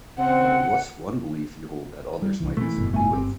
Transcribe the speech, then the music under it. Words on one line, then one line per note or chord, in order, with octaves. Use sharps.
Uh, what's one belief you hold that others might disagree with?
C#3 C4 F#5
G3
C2 E3
A#2 E3 A3 C4
F#1 G#2 B2
A3 G#5
G1 C4 G4